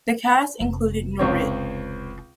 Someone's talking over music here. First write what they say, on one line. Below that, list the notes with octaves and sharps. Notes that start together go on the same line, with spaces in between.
The cast included Nourrit.
F1
C#2 C4 C#5